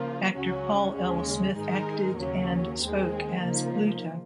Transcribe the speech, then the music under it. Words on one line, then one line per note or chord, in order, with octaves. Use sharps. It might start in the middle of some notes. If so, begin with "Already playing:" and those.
Actor Paul L. Smith acted and spoke as Bluto.
Already playing: C#3 F3 A#3 F4
C#2 C#3 F#3 C#4 F#4
D#2 C#3 G#3 C#4
G#2 D#3 G#3 D#4 A#4
D#2 C#3 F#3 A#3 C#4
D#2 D#3 G#3 C4
C#3 F3 A#3 D#4